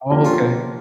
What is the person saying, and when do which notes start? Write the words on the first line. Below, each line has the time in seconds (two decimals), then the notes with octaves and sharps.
Oh, okay.
0.11 F3 A#3 C#4 G4
0.25 C#4 F4